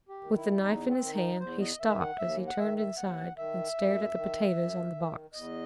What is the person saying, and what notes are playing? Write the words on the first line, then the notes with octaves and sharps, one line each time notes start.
With the knife in his hand he stopped as he turned inside and stared at the potatoes on the box.
G4
D#3
E4
E2 D#4
C4
D#3
D#4
E2 C5
D#5
D#3 E5
F#5
D#2 E5
F#5
D#3 E5
E5
D#2 F#5
D#3 E5
F#2
D#3
F#2
D#3
E2 D#5